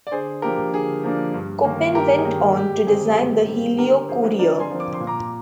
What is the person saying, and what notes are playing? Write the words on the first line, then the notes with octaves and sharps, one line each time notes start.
Koppen went on to design the Helio Courier.
D5
D3 G#4 C5
F3 A#3 D4 G4 A#4
D3 G#4
F3 A#3 D4
G2
D#3 A#3
G2 G4 A#4
G#4
D#3 A#3 G4 A#4
G#2 G4
D#3 G3 C4 G#4
G#2
D#3 G3 C4
D3 G4 A#4
F3 C4 G#4 C5
D3 A#4 D5
G#5 C6
F3 C4
D6
C6
A#2
A#5 D6